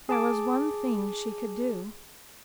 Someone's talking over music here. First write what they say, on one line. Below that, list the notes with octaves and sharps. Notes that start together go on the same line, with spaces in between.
There was one thing she could do.
G#4 A5 D6